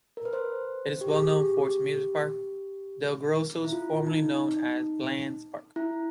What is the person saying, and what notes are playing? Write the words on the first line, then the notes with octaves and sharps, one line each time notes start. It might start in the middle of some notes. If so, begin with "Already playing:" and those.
It is well known for its amusement park, DelGrosso's, formerly known as Bland's Park.
A#4
B4
C5
G4
G#4
G4
E4
F4
D#4
E4